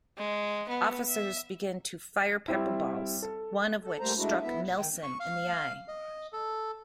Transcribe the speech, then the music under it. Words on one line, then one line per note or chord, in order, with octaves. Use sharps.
Officers began to fire pepper-balls, one of which struck Nelson in the eye.
G#3
B3
E5
G3 C4 E4
A4
A4
G3 A3 A#3 C5 A#5
G#3 A3 D4 E4 F#4
B3 E4 E5
A#2
D#3 G5
C#6
F5
D#5
A4